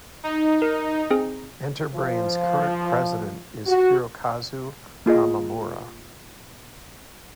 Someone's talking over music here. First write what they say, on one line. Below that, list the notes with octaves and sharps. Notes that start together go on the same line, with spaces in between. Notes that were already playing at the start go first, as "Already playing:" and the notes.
Enterbrain's current president is Hirokazu Hamamura.
D#4
A#4
C4 G#4
F3
F#4
A#3 F4 G#4 D#5